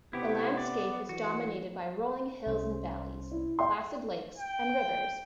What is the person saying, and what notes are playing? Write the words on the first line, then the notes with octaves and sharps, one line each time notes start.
The landscape is dominated by rolling hills and valleys, placid lakes and rivers.
C3 B3 E4 G4
D5
E3 F#4
C2 C#4 C5
E4
E5 G5 C6
G5